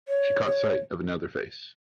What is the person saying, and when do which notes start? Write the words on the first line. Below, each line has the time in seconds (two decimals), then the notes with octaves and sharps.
She caught sight of another face.
0.08 C#5
0.46 C#5